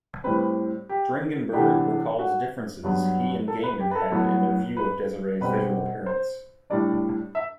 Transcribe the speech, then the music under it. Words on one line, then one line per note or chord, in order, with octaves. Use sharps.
Dringenberg recalls differences he and Gaiman had in their view of Desire's visual appearance.
A2 G3 C4 B4
G4
C3 E3 B3 D4 G4
F#4
G2 F#3 B3
A4
B4
G4
B4
A4
A2 F#3 B3
B4
B2 G3 C4 B4
C5
A2 G3 D4 D5
E5